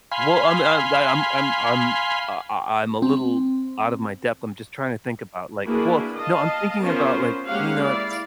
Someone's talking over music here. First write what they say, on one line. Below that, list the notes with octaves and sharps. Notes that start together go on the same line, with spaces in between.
Well, um, I I, um, I'm I'm I I I'm a little out of my depth, I'm just trying to think about, like well, no, I'm thinking about, like, peanuts,
F5 G#5 B5 C6
C4
A#3 D4 E4 F#4 G#4 B4
D#5 F5 A5
B3 C#4 F4 A#4 C5
G#3 A#3 C#4 G4 F5 F#5
E4 D5 F5